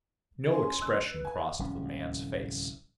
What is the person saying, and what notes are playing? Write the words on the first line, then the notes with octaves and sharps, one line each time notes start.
No expression crossed the man's face.
C#4 G#5 C6
E6 F#6
B4
G#5
D1 C2 F3 C#4